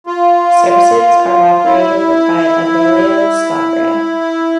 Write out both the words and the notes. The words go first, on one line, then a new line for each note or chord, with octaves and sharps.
Services are operated by Abellio ScotRail.
F4
E4